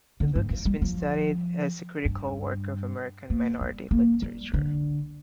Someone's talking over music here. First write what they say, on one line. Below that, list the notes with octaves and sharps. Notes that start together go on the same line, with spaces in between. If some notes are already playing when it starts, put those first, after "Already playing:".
The book has been studied as a critical work of American minority literature.
D3
G2
F3
G3
F3
G2
A#3
G3
A#3
G3
D3